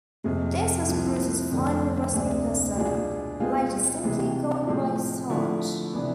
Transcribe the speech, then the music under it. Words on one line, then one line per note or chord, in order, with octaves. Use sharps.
This was Bruce's final wrestling persona, later simply going by Sarge.
F2 C3 G#3
C2 C3 F3
F2 D3 A3 C4
D2 C3 G#3 D4 G#4
B2 G#3 D4 F4 G#4
B2 G#3 C4 F4 G#4
C3 E3 G#3
A2 F3 G#3 C4
D3 F3 A3 E4
C3 E3 B3 D4